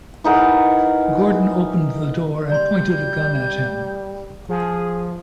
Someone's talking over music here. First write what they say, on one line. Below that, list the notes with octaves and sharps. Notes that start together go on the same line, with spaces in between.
Gordon opened the door and pointed a gun at him.
E3 D#4 A#4 F#5
G3 D5 A#5 C6 G6
F3 G#4